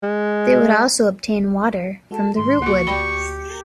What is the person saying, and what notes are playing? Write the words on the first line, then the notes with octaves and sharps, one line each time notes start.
They would also obtain water from the rootwood.
G#3
G#3 F#4 A4 A5
G#2 D#3 G#3 C6
C#2 A#3 F#4 C#6
D2 G4 D5 G5 B5 C#7